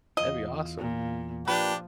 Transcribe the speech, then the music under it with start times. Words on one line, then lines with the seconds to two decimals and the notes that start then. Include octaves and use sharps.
That'd be awesome.
0.17 E2 F4 D#5
0.78 A#2
1.48 F3 A#3 D4 F4 G4 A#4 B4